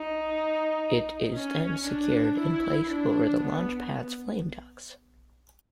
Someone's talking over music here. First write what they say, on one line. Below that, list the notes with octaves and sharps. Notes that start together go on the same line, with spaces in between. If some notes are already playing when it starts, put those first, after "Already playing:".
It is then secured in place over the launch pad's flame ducts.
Already playing: D#4
C#4
D4
E4
D4
B3